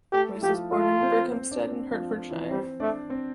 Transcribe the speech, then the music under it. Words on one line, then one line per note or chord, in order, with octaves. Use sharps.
Reiss was born in Berkhamsted in Hertfordshire.
A3 G4 A4
E4
F3 F4 G4
A3 F4 A4
C4 C5
C4 C5
D4 D5
C4 C5
F3 F4
F3 F4
E3 E4
G3 C4 C5
A3 D4 D5
C4 C5